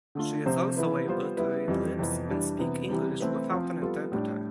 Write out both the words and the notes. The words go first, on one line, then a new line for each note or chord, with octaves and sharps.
She is also able to read lips and speak English without an interpreter.
D3 A3 D4 F4
C3 F3 C4 G4 C5
E3 B3 E4 B4
G3 B3 F4 C5
G3 B3 E4 B4
F2 E3 G3
F2 C3 E3 B3
E3 G3 D4
C3 E3 B3
C3 E3 G3
E3 A3 C4 E4 B4
F3 C4 F4
G3 B3 F4 A4
A2 G3 D4